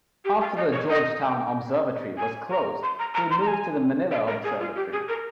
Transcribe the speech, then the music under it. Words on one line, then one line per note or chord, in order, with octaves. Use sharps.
After the Georgetown Observatory was closed he moved to the Manila Observatory.
G4
F5
D#5
C#5
D#5
G5
G#5
A#5
C6
A#5
A#5
C6
A#5
G#5
F5
A#4
G#4
F4
G4
G#4
A#4